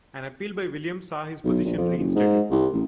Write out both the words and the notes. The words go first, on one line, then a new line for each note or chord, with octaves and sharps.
An appeal by Williams saw his position reinstated.
B1
A#1
F2
F#1
G#2
C2
A1